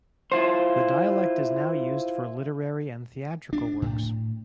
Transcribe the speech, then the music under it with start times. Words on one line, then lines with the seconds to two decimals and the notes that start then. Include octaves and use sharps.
The dialect is now used for literary and theatrical works.
0.32 E4 F4 C5
3.53 D4
3.82 A2